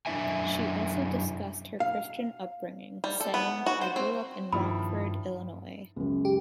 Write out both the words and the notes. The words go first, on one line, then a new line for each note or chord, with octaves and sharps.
She also discussed her Christian upbringing, saying, I grew up in Rockford, Illinois.
F#2 D4 E4 E5 G#5
F5
G3
A4
B3
F#4
C5
C4
G2 D#3 F3 E4 B5
C#2 F#2
G4